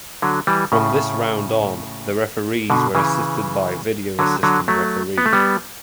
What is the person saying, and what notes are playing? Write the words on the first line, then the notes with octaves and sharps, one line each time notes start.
From this round on the referees were assisted by video assistant referee.
D3 F#3
E3 G3
A2 C#3
B2 D3
C#3 E3
D3 F#3
D3 F#3
F#3 A3
B3
A3
G3 B3